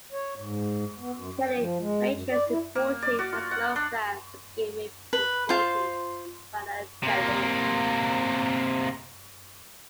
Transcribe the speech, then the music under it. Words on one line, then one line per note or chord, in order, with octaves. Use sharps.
Currently Matrics Importing has no plans to begin re-importing Vana Tallinn.
C#5
G#2
B3
F#2
G5
F3
G#3
F#2
D5
E4
A#3
D5
F#4
F4
F#5
D4
B4
F4 C5 C6
C3 A#3